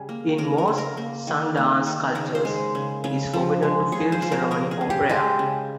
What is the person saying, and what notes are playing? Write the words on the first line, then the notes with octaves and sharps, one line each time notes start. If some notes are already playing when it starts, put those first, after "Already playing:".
In most sun dance cultures, it is forbidden to film ceremony or prayer.
Already playing: C#3 G3 G#4
A#3
C#3 A#4
A#4
C#3
A#4
A#3
D#3
A#3
D#3
C#3 A#4
C5
G#3
C#3
C#3
F3
G#3
C#3 G#4
C5
F3
A#4
C#3 A#4
G#4
C#3
G4
G#3 G4
C#3